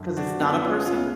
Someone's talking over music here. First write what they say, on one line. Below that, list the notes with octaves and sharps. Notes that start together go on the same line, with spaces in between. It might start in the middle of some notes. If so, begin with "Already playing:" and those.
'Cause it's not a person?
Already playing: F#2 D3
D4 F#4
B3 D4
C#4 F4
D2 C#3 C#4 F4